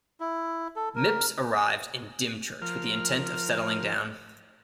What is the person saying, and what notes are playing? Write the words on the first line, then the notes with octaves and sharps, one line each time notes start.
Mipps arrived in Dymchurch with the intent of settling down.
E4
A4
A#4
F3 A#4 F6